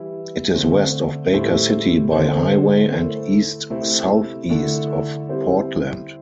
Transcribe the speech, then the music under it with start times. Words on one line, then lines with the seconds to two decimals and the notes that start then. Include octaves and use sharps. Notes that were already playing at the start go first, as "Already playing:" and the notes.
It is west of Baker City by highway and east-southeast of Portland.
Already playing: E3 G3 E4
0.54 D3 A3 C4
1.33 A2 G3 E4 A4 C5
2.12 D3 C4 A4 C5
2.92 A3 E4 A4 C5
3.70 C3 A3 C4 E4
4.50 D3 A3 E4 A4
5.29 G3 C4 E4 G4 C5